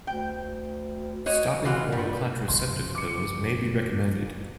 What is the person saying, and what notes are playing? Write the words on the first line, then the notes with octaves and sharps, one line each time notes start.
Stopping oral contraceptive pills may be recommended.
D2 G5
F#4 C#5 D#5
E3 F4 F#4
G2 G3
F#1 C#3 F3 C6
D6 C#7